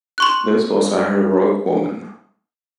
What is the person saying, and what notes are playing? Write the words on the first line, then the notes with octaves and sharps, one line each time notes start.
This was a heroic woman.
C6 C#6 F#6